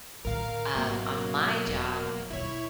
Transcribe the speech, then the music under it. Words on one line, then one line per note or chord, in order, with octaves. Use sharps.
Um, on my job
A2 D3 A#4 F5
G#1 B2 F#3 A#3
E1
D#2 B2 E4 C#5